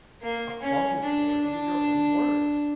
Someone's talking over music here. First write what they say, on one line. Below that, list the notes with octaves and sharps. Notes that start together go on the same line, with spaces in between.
"Upon the authority of your own words."
A#3
C#4
D4
D4